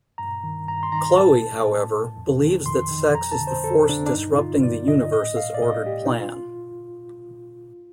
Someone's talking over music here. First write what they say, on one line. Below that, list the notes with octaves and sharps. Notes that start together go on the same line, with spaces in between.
Chloe, however, believes that sex is the force disrupting the universe's ordered plan.
G2 A#5
D#3
G2 A#5
C6
D#3 A#5
A2 A5
A2
F2
D#3
F2 C6
D#3
F2 A#5
A5
D3
C5
F2 A4
D3 D4
D4
G2 D#4
D3 F4
G2 D5
D3 D#5
A2 D#5
F5
D5
A2 D#5
G4
D#4
F4